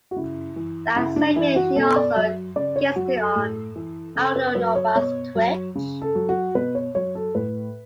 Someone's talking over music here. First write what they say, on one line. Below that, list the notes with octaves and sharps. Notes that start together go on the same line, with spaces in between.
That same year, she also guested on Aldo Nova's "Twitch".
F#4
C#3 E4
E3
C#3 E4
D4
E3 E4
F#4
B2 A4
D5
F#3 E5
C#3 D5
C#5
F#3 F#4
A4
A2
E3
C#3 A4
B4
F#3 B4
C#5
B2 C#5
F#3
C#3
A4
F#3
F#4
B2 B4
C#5
F#3 C#5
A4
A2 B4